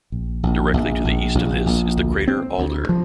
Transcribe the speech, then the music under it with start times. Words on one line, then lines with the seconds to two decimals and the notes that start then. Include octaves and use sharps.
Directly to the east of this is the crater Alder.
0.12 A#1
0.43 A#1
0.74 A#1
1.04 A#1
1.35 A#1
1.66 A#1
1.97 D2
2.28 C4
2.58 D2
2.89 F3